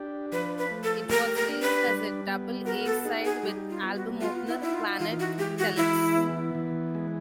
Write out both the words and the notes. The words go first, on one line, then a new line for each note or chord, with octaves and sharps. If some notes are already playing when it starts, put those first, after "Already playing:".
It was released as a double A-side with album opener "Planet Telex".
Already playing: D4 G4
F3 B4
B4
A3
A4
G4 A#4
A#4
D4
B4
G3
B3
F#4 A#4
A4
D#4 G#4
G#4
G3 G4
F4
B3
F#4
F4 F#4
E4
D#4 E4
F4
E3 F4
F#4
G#3 G4
F#4
E3 E4
B3
E3
G#3